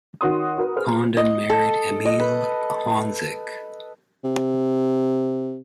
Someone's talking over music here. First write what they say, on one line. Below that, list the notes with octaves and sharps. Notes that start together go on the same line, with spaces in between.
Condon married Emilie Honzik.
D#3 F#4 C#5 C6 D#6
F#4 A#4 B4
G#4 B4 C5 F6
D#5
A4
D#5
B4
C3